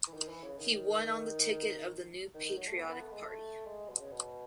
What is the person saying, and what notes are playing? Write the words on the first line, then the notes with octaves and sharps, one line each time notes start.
He won on the ticket of the New Patriotic Party.
E3
D#3
E3
C#3
D#3
D#3
D#3
F#3
A3
B3
B3
A3
G#3
A3
G#3
B2
C#3
B2